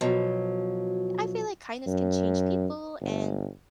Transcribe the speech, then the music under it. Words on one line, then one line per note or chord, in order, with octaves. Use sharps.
I feel like kindness can change people, and
B2 F3 F#3
F#2
G1